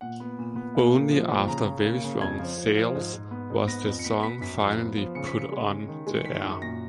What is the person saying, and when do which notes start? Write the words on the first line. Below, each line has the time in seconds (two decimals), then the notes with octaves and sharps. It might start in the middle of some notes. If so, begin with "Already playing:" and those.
Only after very strong sales was the song finally put on the air.
0.01 A#2 F#5
0.20 B3
0.39 A#2
0.56 B3
0.75 A#3
0.94 A#2
1.11 F3
1.30 A#2
1.48 C#3 A#5
1.66 C#3
1.85 A#3
2.03 C#3
2.21 F2 G#6
2.39 F3
2.58 F3
2.77 F3
2.95 G#2
3.13 G#2
3.31 B3
3.50 G#2
3.68 B3 A#6
3.86 F2
3.99 C#7
4.04 B3 B6
4.23 B3 B6
4.41 F#2 B6
4.61 F3
4.78 B3
4.97 F3
5.15 C#3 C#7
5.27 B6
5.34 C#3
5.39 C#7
5.51 G#3
5.70 C#3
5.88 D#3
6.06 G#3
6.14 C#7
6.25 D#3 B6
6.44 F#2
6.62 A#2 A#6